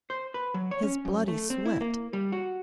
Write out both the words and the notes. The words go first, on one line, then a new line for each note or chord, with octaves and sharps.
His bloody sweat.
C5
B4
F#3
C#5
C#4
F#2
A3
C4
E4
A#3
G3
F#4